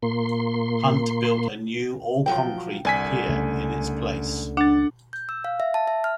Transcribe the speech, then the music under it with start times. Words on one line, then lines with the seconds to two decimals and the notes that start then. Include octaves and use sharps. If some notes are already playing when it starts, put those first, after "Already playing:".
Hunt built a new, all-concrete pier in its place.
0.03 A#2 A#3 C6
2.26 F3 F#3 G5
2.85 C2 D3 G#5 B6
3.28 C#2 C#3 A3
4.57 D4 F#5 A6
5.13 G6
5.29 E6
5.44 F5
5.60 E5
5.74 A5
5.88 E5
6.04 F6